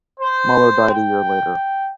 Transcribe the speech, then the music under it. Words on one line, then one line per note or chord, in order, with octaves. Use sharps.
Mueller died a year later.
C5
G5